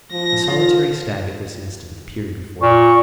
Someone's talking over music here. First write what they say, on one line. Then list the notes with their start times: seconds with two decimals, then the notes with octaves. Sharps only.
A solitary stag at this instant appeared before them.
0.12 F3 A#6
0.48 F4
2.61 A#2 C#6